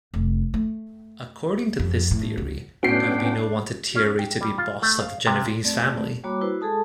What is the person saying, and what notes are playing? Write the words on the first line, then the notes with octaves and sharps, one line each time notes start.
According to this theory, Gambino wanted Tieri to be boss of the Genovese family.
F1
A3
F2
A2
C#2
A2 B3 C#4 D4 F#4 G5 C7
C#4
G5
G3
F4
A3
F5
C3
A3 C4 D5
G3 A#3 F#4 C#5 B5 D6
E4 F#4 B4 C5
G#3 G#4 A4 A5 D#6